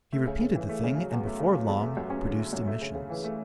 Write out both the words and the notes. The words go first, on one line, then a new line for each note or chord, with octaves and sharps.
He repeated the thing and before long produced emissions.
A3
C#3
C#3
E3
A3
C#3
F#3
E2
A3
C#3
F#3
E2
A3
F#2
C#4
D3
A3
F#2
A3
C#3
C#3
E3
A3